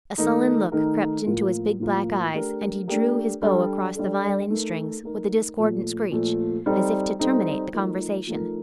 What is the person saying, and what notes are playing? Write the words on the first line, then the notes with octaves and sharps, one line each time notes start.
A sullen look crept into his big black eyes and he drew his bow across the violin strings with a discordant screech, as if to terminate the conversation.
D#3 A3 D#4 A#4
D#3 A3 D#4 A#4
A2 F3 A#3 F4 A#4
A2 F3 A#3 F4 A#4
A3 D4 G4 A#4
A3 D4 G4 A#4
G3 D4 A4
G3 D4 A4
A3 D#4 A#4
A3 D#4 A#4
A#2 F3 A3
A#2 F3 A3
G3 C4 D#4 A4
G3 C4 D#4 A4
F3 A3 D#4 A#4
F3 A3 D#4 A#4